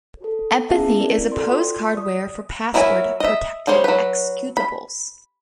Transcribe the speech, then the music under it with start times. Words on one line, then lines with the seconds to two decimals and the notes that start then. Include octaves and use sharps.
"Empathy" is a postcardware for password-protected executables.
0.24 A4
0.69 B3 C#4 E4 G#4 E5 A5
1.00 C4 E4 A#4 D5
1.32 F#4 A4 D5 C6
1.47 F4 G5 C6
1.95 D5 D#6
2.74 F#3 E4 A#4 E5 G#5
3.20 D#5 E5
3.67 D#3 G3 C5 C#5
3.84 F#3 B4
4.57 B5